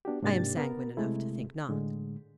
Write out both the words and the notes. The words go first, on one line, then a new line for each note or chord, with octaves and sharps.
I am sanguine enough to think not.
B3 D4 F#4 G4
G#2 C3 A#3 D4 G4 A6
B3 A#4
C3 G#3 A3 E4
A2 D3 G#3